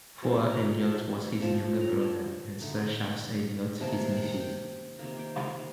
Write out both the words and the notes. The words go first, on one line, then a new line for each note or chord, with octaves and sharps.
Hugh Elliot was his younger brother and Sir Charles Elliot his nephew.
C3 F3 C4 A5
A#5
A5
F3 C4 F4 A5
A#5
A5
D3 A3 D#4
C3 D#3 A#3 A5
A5
G5
C3 D#3 A#3
G5
F5